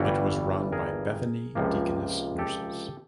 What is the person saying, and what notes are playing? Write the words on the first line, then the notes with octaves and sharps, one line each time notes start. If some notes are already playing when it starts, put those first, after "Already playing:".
It was run by Bethany Deaconess nurses.
Already playing: G1 G2 E3 G3 E4 F#4
G#4 A#4
C#2 C3 F3 A#3
G4 A4